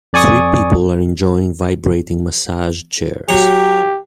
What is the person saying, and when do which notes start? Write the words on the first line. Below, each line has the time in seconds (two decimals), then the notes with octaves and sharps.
Three people are enjoying vibrating massage chairs.
0.13 F2 D5 G#5 C#6 D#6
3.29 F#3 G4 C#5